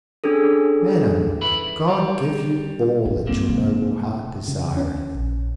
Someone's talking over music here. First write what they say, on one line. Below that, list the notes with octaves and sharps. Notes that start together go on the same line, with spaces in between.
Madam, God give you all that your noble heart desireth!
C#4 D4 G#4 A4
E4 B4 B5
G3
B1 A2
G2 D#3 A#3 C4
C3
C#3
C#4
A#1